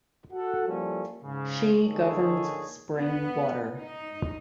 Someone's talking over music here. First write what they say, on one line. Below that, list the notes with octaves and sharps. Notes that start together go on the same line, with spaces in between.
She governs spring water.
F#4 A4 F#5
F3 G3 A#3 C#4 E4 A4
G#2 C#3
D3 A#3 D#4 G#4 A4 C#5
B3
D#4